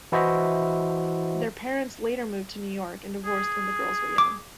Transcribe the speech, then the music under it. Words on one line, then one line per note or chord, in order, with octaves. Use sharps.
Their parents later moved to New York and divorced when the girls were young.
E3 E4 F#4 C5 D#5 E5
G#4
D6